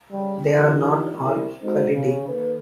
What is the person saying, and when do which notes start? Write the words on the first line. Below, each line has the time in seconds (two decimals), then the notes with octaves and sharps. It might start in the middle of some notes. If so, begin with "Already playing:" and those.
They are not all equally deep.
0.12 C#3 G3
0.53 E3 D4 D#4 F4 G4 A#4
1.21 C2
1.63 G#3 C4 D#4 F#4 A4 C5
1.94 C#3
2.28 D#3 A#3 A4 B4